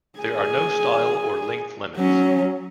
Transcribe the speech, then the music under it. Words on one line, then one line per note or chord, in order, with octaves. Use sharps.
There are no style or length limits.
G#4 G#5
F#3 C#4